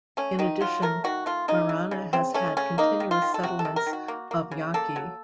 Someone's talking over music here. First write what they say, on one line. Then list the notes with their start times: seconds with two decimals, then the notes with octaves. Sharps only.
In addition, Marana has had continuous settlements of Yaqui.
0.17 A3 C#4
0.39 D#3 D#4
0.61 F#3 F4
0.82 A3 A#4
1.04 D#3 F#4
1.26 A3 F4
1.48 C#3 D#4
1.69 C#3
1.91 C#3
2.13 C#3 C4
2.34 A3 C#4
2.57 C#3 C#4
2.78 A#3 D#4
3.00 D#3
3.11 F4
3.22 D#3
3.34 A4
3.43 C3 F#4
3.59 A4
3.65 C3
3.76 A#4
3.86 D#3
3.93 F#4
4.08 A#3
4.31 A#3
4.51 C#3
4.74 A#3 A4
4.96 F#3